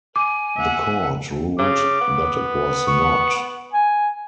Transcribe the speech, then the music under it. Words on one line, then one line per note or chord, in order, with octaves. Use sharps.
The Court ruled that it was not.
G#5 D6
E5 F#5
C#3 D6
B3
C#6
G#5